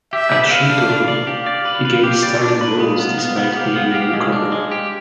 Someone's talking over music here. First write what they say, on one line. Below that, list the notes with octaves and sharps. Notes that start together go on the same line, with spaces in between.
At Shintoho he gained starring roles despite being a newcomer.
G4 E5
B4
B4 F5
D4
D4
D5
G4 F5
D5
B4
B4
G4
D5
D4
B4
G#3 F5
B3
B3
B3
G4
B3
G4
G#3
D4
G#3
G4